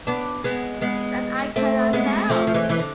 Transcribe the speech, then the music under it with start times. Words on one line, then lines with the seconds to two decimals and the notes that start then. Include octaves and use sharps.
That I cannot tell.
0.07 B3 D4
0.44 G#3 B3
0.81 G#3 B3
1.56 A3 C4
1.93 G#3 B3
2.30 F3 A3
2.47 F3
2.54 E3 G#3
2.69 E3
2.79 D3